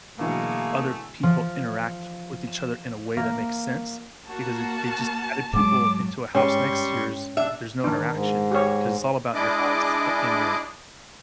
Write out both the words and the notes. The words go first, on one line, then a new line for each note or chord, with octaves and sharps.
other people interact with each other in a way that makes sense, because if they, just, added people into a house next yours, there's no interaction, 'cause it's all about your house a and your
B2 D3 E3 F#3 A3 A#3 G#4
F3
E7
A#3
A#3 F#4 A5
G#2 F#3 G#3 D6
G#2 G3 C#4 G5 C6 C#6
D4 E5
D#3 D4
G#2
G4 C#5
G#3 D4 E4 D5 D#5 D6